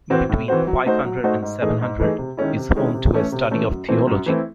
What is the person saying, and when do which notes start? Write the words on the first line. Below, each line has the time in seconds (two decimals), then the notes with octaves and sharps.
Between five hundred and seven hundred is home to a study of Theology.
0.10 E3 C4 F#4 C5
0.29 A2
0.48 E3 C4 F#4 C5
0.67 F#3
0.86 A3 D#4 F#4 C5
1.05 F#3
1.24 A3 D#4 F#4 C5
1.42 G#2
1.62 E3 A3 D#4 G#4
1.81 G#2
2.00 E3 A3 D#4 G#4
2.18 C3
2.37 D#3 G#3 C#4 E4
2.56 C3
2.75 D#3 G#3 C#4 E4
2.94 C3
3.13 E3 A3 C#4
3.32 C3
3.51 E3 A3 C#4
3.70 F#2
3.88 E3 A3 C4 E4
4.07 F#2
4.26 E3 A3 C4 E4